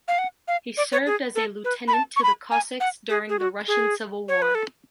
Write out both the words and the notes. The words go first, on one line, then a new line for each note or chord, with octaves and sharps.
He served as a lieutenant to the Cossacks during the Russian Civil War.
F5
F#5
F5
D5
C#5
G#4
A4
B4
B5
A5
C#6
B5
G#5
F#5
G#4
G#4
F#4
G#4
C#5
B4
A4